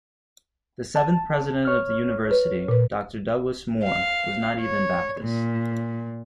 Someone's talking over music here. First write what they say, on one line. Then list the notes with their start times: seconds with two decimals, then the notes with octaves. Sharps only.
The seventh President of the University, Doctor Douglas Moore, was not even Baptist.
0.96 A5
1.65 C#5 F6
2.31 B4
2.68 A#2 B4
3.85 F5
4.62 C#5
5.22 A#2